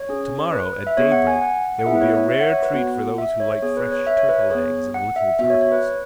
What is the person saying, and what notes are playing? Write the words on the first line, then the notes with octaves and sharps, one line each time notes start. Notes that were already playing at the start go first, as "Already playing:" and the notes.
"Tomorrow, at daybreak, there will be a rare treat for those who like fresh turtle eggs and little turtles!"
Already playing: C#5
C#4 G#4
B4
E5
B3 G#4 C#5
F#5
G#5
F#5
F#5
B3 E4 G#4 E5
B4
C#5
C#5
E5
F#5
C#5
B4
B3 F#4 F#5
E5
C#5
B3 G#4 C#5
B4
C#5
E5
C#5
B4
C#5
B3 G#4 C#5
F#5
E5
B3 F#4 E5
C#5
C#5
B4